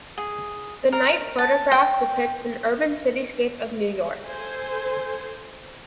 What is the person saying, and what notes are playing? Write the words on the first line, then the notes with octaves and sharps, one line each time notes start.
The night photograph depicts an urban cityscape of New York.
G#4
A#4
A5
G5
A4 C5 G#5